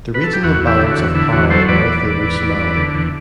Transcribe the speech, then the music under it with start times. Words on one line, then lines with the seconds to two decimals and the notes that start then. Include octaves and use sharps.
The regional balance of power now favoured Somalia.
0.14 B4
0.24 A4
0.33 G4
0.43 E2 F#4
0.61 E2
0.67 E4 G4
0.79 D3
0.87 E4
0.91 F#4
0.97 E2
1.15 D3 E4
1.32 E2 F#4
1.50 F#3 A4 C5
1.69 E2 B4 D5
1.86 E2
2.04 E2
2.23 E2
2.40 E2
2.58 E2
2.77 D3
2.94 E2